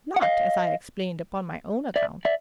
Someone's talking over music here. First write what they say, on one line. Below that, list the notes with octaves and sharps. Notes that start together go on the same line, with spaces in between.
Not, as I explained, upon my own account.
F#5
D#5 F5
D5 E5
D5 E5